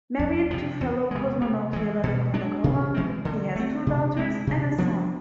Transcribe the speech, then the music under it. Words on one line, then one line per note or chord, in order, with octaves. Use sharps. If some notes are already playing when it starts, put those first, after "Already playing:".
Married to fellow cosmonaut Yelena Kondakova, he has two daughters and a son.
F2
C3 F3
E2
C3 G#3
C3
E3 G#3
B2
G#3 D4
C3
E3 G#3 C4
D3
A3 C4
C3
G#3 C4
C3
F3 B3 D4